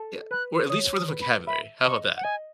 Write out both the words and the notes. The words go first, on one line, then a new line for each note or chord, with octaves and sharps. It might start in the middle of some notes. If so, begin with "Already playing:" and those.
Yeah, or at least for the vocabulary how about that?
Already playing: A4
B4 F#6
C#5 D#6
D#6
B4
B5
E5 B5
D#5 C#6
F#5
D#5 G#5